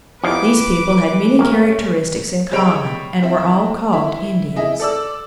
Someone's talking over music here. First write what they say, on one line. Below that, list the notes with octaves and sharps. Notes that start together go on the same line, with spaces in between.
These people had many characteristics in common and were all called Indians.
E2 F3 D#4 G4 B4 D6
G#1 A#3 C#4 A#4
G3 G#3 C#5 G5 B5 D7
C4 E4
E4
E4 G#4 D#5
A4 D5 E6